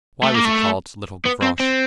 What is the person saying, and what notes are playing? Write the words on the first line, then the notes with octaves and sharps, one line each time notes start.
Why was he called Little Gavroche?
A3
A#3
A3
B3
C4
C4